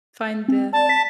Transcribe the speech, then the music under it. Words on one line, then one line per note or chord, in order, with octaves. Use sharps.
find the
C4
D5 A5
B6